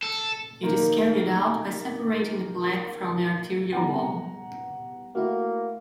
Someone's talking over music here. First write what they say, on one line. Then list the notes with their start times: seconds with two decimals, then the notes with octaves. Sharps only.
It is carried out by separating the plaque from the arterial wall.
0.03 A4
0.63 D#3 A#3 A#4
3.72 G3 B3 F#5 A#5
5.15 A3 A#3 E4 F#4